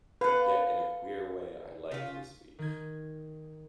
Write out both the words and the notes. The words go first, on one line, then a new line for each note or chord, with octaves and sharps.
Yet in a queer way I liked the speech.
A4 B4 F5
C#3 F4
D#3 G#6